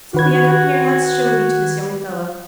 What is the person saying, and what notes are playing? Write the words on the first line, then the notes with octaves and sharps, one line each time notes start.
Sylvia, come here, an let's show thee to this young fellow!'
D#3 F#4 B4 G#6